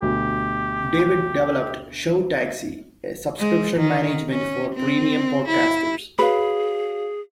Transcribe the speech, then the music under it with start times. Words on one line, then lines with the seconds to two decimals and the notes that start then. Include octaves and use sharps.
David developed ShowTaxi, a subscription management for premium podcasters.
0.02 D2 B2 G4
3.39 G#3
3.77 D#3
4.29 C#4
4.75 C4
5.48 E4
6.19 F#4 G#4 B4 C#5 F5